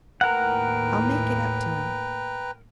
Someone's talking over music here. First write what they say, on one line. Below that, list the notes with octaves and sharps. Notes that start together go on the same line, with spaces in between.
I'll make it up to him.
D#2 A2 A#4 B4 F#5 G5 A#5